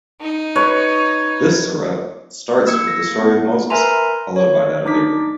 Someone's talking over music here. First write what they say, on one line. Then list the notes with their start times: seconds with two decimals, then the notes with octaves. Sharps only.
This surah starts with the story of Moses, followed by that of Abraham.
0.21 D#4
0.55 B4 C#5
2.66 A#3 E6 G#6 C#7
2.87 A#6
3.19 B3
3.70 A#4 B4 E5 G#5 A#5 C6
4.36 C#5
4.85 D4 D#4 D6 B6